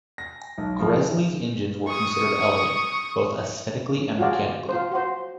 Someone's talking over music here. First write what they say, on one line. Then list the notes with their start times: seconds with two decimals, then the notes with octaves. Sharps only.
Gresley's engines were considered elegant, both aesthetically and mechanically.
0.18 A#6
0.58 B1
0.79 F3
1.88 C#6 D#6
4.19 F4 F#4 G#4 D5
4.69 F4 C5
4.92 F#4 C5